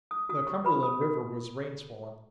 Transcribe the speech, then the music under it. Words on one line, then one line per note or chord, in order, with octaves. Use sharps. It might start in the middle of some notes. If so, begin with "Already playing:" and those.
The Cumberland River was rain-swollen.
D#6
F#4 D#6
C#6
B4 B5
D#6
F#4